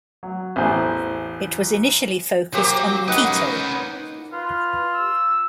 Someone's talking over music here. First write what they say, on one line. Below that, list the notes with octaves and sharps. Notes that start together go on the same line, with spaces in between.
It was initially focused on Quito.
F#3
A1 E2 E4 C5 G#5
F#3 A#3 G4 C5
C#4 D#4 B4 F#5
F4 B4
E6